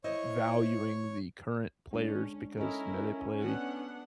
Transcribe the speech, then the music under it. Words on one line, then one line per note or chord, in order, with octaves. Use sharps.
valuing the current players because, you know, they play
E4 C5 C#5 D#5 C#6
G#3 C#4 D4
C#4 E4 A4 A#4 D#5
B3 D4 F#5